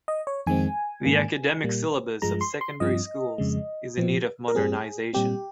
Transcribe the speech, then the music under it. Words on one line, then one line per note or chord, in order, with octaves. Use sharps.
The academic syllabus of secondary schools is in need of modernization.
D#5
C#5
F2 D#3 G#3 C4 G#5
G#2 D#3 A#3
A#2 G3 A#3
G2 F3 G#3 A#5
C6
C6
G2 F3 C4 D#5
F2 C#3 G#3
A#2 F3 C4
A#4
G2 G3 C4 G#4
A#2 G3 C4 G4